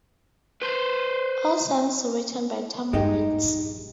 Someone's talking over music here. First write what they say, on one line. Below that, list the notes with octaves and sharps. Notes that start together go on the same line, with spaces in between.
All songs written by Tom Waits.
B4 C5
E2 G2 G#3 D#4 G4
A#1